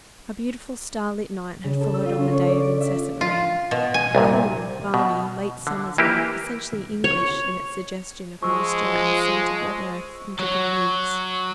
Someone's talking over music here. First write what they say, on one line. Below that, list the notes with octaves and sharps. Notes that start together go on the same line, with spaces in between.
A beautiful starlit night had followed on the day of incessant rain: a cool, balmy, late summer's night, essentially English in its suggestion of moisture and scent of wet earth and dripping leaves.
C#3
A4
E6
F4
C#4
C#5
D5
D7
E5
F4
B2
G#5
C2 G2 A#2
B2
D3
E3 A#3 E4 G4
C#5
F3 G#3 C#6 E6
F#3